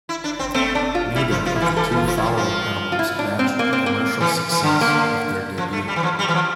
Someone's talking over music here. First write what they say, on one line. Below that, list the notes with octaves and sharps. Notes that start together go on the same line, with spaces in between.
Neither of the two follow-up albums matched the commercial success of their debut.
E4
D4
C4
A3 C4
D4
F4
G3 E4
F3
F3 F4
E4
E3
F4
E3 A4
E3
F4
F3 F4
E4
F3
F3 F4
F4
E4
D4
C4
A#3
C4
A#3
E3
E3
D3
A#3
D3
F3
A3
G3
E3
F3
G3
E3
F3